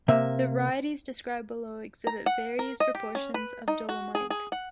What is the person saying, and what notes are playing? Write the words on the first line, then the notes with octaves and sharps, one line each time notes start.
The varieties described below exhibit various proportions of dolomite.
C3 A#3 E5
A#5
F#5
A#4
D#5
G4
C#4
B4
D#4
F#4
G#4
G#4
F#5